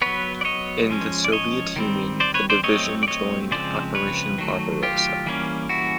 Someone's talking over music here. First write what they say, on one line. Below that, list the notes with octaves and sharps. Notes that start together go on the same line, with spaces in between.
In the Soviet Union, the division joined Operation Barbarossa.
F#3 B3 B4 C#5
D5
C#5 D#5
F3 G#3 C#4
D5
C#5 D#5
D#3 G3 C4
C5 D5
B4 C#5
C5 D5
F#3 A3 C4 C#5 D#5
D5
C#5 D#5
C#3 F3 G#3 C4 C5 D5
B4 C#5
D#3 F#3 A3
F4 G4
E3 G3 A#3 C#4
E4 F#4